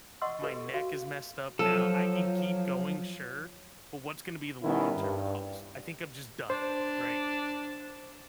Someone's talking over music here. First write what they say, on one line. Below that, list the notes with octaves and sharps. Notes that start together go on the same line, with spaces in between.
My neck is messed up now. I can keep going, sure, but what's gonna be the long-term cost? I think I'm just done," right?
D#5 F#5 C6 C#6 D#6 E6
E4 G4 A4 B4
C#6
F#4 F5
F3 F#3 A4
D#3 G3 B3 C#4 E4
G2
D4 C5